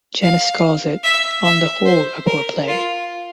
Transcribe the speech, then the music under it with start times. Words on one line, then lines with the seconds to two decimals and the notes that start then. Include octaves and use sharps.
Genest calls it 'on the whole a poor play'.
0.22 F5
1.03 E5
1.45 E5
1.85 C5
2.27 A#4
2.68 F4